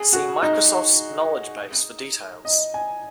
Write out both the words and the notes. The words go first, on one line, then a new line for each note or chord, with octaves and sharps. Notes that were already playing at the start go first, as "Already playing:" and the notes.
See Microsoft's knowledge base for details.
Already playing: G#4
F#4
D#4
D#5
G#5